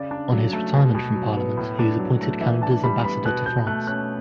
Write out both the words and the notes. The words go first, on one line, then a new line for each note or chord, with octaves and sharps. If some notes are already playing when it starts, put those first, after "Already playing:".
On his retirement from Parliament, he was appointed Canada's Ambassador to France.
Already playing: C#3 D5
D4
F#3
A3
B2
B2
F#3
B3
A2
D4
F#3
A3
E3 E5
D4 A5
G3 B5
B3 B5
B2 F#6
B2 G6
A3 F#6
C#4 F#6